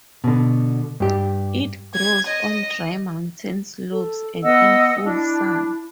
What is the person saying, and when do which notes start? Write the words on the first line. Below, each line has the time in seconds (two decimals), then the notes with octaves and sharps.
It grows on dry mountain slopes and in full sun.
0.24 B2 D3
1.00 G2 G4
1.95 G#6
2.27 D#5
3.92 A4
4.44 B3 D#5 F#5 E6
5.05 D4 E4